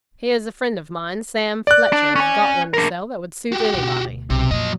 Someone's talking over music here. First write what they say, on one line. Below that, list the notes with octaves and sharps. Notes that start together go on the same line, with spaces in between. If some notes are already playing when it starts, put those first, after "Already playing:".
Here is a friend of mine, Sam Fletcher, has got one to sell that would suit anybody.
D5 F#6
D4
C#4 G#5
D4 A#4
F#4 G4
D2 B2
B1 C3
F2 A#2 F#3 D#5